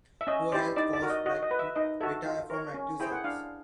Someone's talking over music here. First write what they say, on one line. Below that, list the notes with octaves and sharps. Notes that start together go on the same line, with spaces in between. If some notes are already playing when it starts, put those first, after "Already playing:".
Poor health caused Back to retire from active service.
E5
C#4 D#5
E4 G4 C5 D5
D#4 D5
D5
F#4 A#4
D#5
F#4 D#5
D#5
B4
E5
D#4 D#5
F#4 A4 E5
F4
A#4 C#5
C#4
E4 G#4 C5 G5
F#5
D4 F5